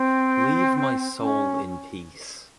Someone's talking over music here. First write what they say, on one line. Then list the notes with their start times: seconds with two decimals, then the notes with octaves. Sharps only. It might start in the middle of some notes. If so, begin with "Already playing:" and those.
Leave my soul in peace.
Already playing: C4
1.20 C#4